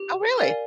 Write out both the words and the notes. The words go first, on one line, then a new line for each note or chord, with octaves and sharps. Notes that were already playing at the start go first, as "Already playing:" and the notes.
Oh, really?
Already playing: G4
A#4 D5 F5 G#5